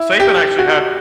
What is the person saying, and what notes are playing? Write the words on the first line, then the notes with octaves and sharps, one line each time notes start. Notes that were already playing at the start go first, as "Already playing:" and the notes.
Saban actually had
Already playing: E4
G4
F#4